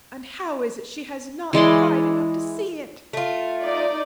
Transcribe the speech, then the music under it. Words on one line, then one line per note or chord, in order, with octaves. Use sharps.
And how is it she has not pride enough to see it?
E3 G#3 D5 C6
A3 F4
D#4 D5